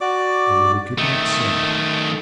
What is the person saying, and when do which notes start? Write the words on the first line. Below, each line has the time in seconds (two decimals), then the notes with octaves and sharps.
I really could not say?'
0.01 F#4 D5 D6
0.98 D#3 A3 D#5